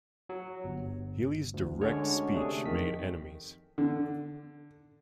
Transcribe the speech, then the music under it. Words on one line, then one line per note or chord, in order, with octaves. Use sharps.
Healey's direct speech made enemies.
F#3
G1
D2
D3 G#3 C#4 D4 F#4 C#5
C3 A3 D4 G#4
F2 D#3 B6
D3